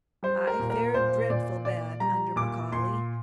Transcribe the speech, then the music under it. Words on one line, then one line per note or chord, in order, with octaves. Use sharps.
I fared dreadful bad under McCaully.
G3 C5
A#4
A#2
A#4
A#2 C5
A#2 D5
A#2 D5
G3 A#5
A#2 D6
A#2 C6